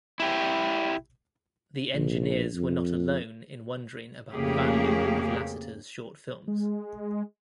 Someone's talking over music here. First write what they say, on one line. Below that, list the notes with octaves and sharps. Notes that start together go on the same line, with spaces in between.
The engineers were not alone in wondering about the value of Lasseter's short films.
E4 G4
A#1
F2
F2 C#3 A3 A#3 G4 G#4
G#3